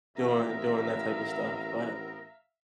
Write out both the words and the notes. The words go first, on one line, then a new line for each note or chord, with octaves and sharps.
doing doing that type of stuff, but
A1 B3 C4 A#4 E5 F5 A#5